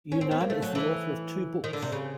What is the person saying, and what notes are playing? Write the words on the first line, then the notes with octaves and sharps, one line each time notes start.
Younan is the author of two books.
C#4
C4
B3
A#3
A3
F#3
E3
D#3
D3
C3
C#3